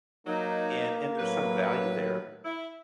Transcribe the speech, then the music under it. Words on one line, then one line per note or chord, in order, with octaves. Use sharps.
and and there's some value there.
F#3 A#3 D#4
A2 F#3 B4
E4